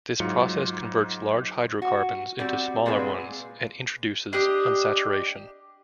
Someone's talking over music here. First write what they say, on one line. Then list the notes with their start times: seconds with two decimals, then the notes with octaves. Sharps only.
This process converts large hydrocarbons into smaller ones and introduces unsaturation.
0.20 G#2 F#3 F4 C#7
1.82 F#4
2.39 G3 C4 F#4
2.86 A#2 G#3 C4 G#4 B4
4.33 D4 G4 D#5